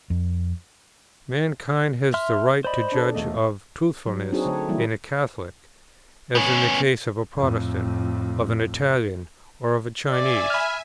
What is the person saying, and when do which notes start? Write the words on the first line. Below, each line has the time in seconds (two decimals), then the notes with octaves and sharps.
Mankind has the right to judge of Truthfulness in a Catholic, as in the case of a Protestant, of an Italian, or of a Chinese.
0.10 F2
2.14 E5 C6 F6
2.65 C5 D5 D#5 B5
2.92 D4 G#4 A4
3.14 E1 A3 D#5
4.06 F#3
4.32 C4 D4 D#4 F#4 G#4
4.45 D3 A3 C#5
4.68 E3 G3 A#3 E4
6.35 B3 C#4
7.36 F2 A2
10.10 D5 E5 G#5
10.50 B5 F6